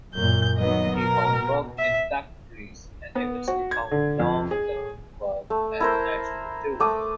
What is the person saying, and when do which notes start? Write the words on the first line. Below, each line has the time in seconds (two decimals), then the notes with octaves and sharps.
He found work in factories, and eventually found long-term work at National Tool.
0.15 F#2 A#2 G6
0.58 D#3 F#3 B3 D#5
0.97 B2 A#4
1.78 E5
3.15 B3
3.48 F#4
3.71 G#6
3.91 D3
4.20 F2
4.51 G#4
5.50 A3
5.80 E4 A#4 C5
6.80 A3 D6 D#6